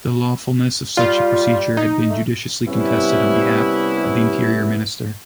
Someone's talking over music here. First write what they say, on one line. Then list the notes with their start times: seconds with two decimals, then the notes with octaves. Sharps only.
The lawfulness of such a procedure had been judicially contested on behalf of the interior minister.
0.97 G3 F4
1.77 D#4
2.10 A3
2.68 C3 G3 B3 C#4 E4